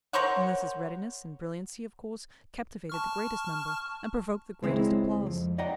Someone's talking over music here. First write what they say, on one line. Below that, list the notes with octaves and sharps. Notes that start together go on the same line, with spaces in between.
Mliss's readiness and brilliancy, of course, captivated the greatest number and provoked the greatest applause.
A#4 C5 C#5 F#5
A5 C#6 F6
C#2 G#3 C4 E4
F2
D5 D#5 F#5 G5 A#5